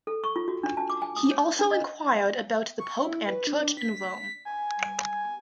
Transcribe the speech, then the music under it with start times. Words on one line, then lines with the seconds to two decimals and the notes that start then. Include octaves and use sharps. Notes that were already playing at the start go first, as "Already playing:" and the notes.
He also inquired about the Pope and Church in Rome.
0.07 A4
0.24 C#6
0.36 F4
0.48 F#4
0.63 D4
0.77 A5
0.90 D6
1.02 G#5
1.16 D#6
1.31 C#5
1.59 D4
1.71 D#5
2.79 C#6
3.04 E4
3.27 B4
3.47 D4
3.77 B6
4.45 G#5